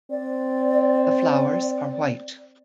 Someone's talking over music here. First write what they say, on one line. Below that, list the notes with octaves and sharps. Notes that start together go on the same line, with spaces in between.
The flowers are white.
C4 D5